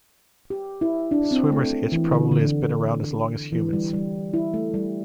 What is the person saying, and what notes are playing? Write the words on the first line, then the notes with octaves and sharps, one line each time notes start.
Swimmer's itch probably has been around as long as humans.
G4
E4
D4
C4
A3
E3
D3
D3
E3
G3
G3
E4
A3
G3